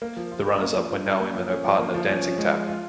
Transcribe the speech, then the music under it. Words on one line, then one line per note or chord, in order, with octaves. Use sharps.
The runners up were Naoimh and her partner, dancing tap.
A#3
F3
F4
A#4
A#3
F3
F4
A#4
A#3
F3
C#4
F3
A#3
F3
C#4
F3
G#3
F3
F4